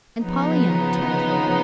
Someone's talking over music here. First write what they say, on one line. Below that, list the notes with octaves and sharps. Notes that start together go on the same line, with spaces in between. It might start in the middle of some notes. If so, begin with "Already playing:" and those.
And Pollyanna told him.
C#3 F3 B3 D#4